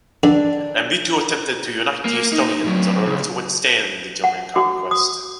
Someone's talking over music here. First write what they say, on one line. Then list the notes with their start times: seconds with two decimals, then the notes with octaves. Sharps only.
Lembitu attempted to unite the Estonians in order to withstand the German conquest.
0.23 D3 D4
2.05 A#3
2.33 D#4
2.64 A2 F#3
3.07 C#2
4.24 F#5
4.56 F#4
4.91 D#6